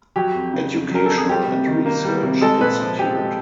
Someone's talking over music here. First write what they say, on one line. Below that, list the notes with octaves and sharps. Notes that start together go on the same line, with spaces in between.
Educational and Research Institute.
F#3 G4
F2
C#3
F2
F#3 A#4
F2 A4
G#4
G3 G4
C3
D#3
A#3
G3
C3
G#3 A4
A#2 B4
F3
C4 G4
G#3